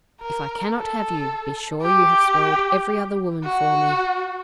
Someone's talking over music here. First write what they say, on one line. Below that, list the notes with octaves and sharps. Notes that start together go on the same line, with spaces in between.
If I cannot have you, be sure you have spoiled every other woman for me.
A#4
A4
G4
F#4